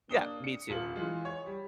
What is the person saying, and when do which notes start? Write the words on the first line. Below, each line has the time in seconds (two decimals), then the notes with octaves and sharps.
Yeah, me too.
0.09 A#3 D4 D#6 G7
0.44 C#7
0.70 D#1 F4 F#7
0.96 E3 G#3 F4
1.25 C#5
1.46 G3